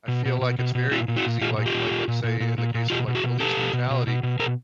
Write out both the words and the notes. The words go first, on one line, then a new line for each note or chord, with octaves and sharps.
I feel like it's very easy, like like, let's say in the case of like police brutality
B2
B2
B2
B2
B2
A#2 E4 F#4
A#2
E4 F#4
A#2
A#2 F4 G4
A#2
F4 G4
A#2
A#2
A#2
A#2
A#2
A#2
A#2
B2 F4 G4
B2
F#4 G#4
B2
B2 G4 A4
B2
B2
B2
B2
B2
B2 G#4 A#4